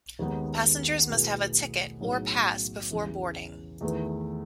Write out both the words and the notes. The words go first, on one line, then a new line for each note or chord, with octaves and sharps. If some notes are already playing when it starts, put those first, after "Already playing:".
Passengers must have a ticket or pass before boarding.
D#2 D#3 G#3 B3 D#4
B2 A3 E4 G#4 B4
A2 F#3 B3 D#4 G#4
E2 C#3 E3
E2 D#3 A3 E4 B4